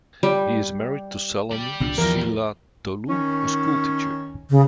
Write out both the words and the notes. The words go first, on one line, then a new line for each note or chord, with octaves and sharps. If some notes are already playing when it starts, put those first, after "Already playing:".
He is married to Salome Silatolu, a school teacher.
G3
G4 D5
C2 A#2 D4
E2 E3 F3 A#4
D#3 C#4
C#3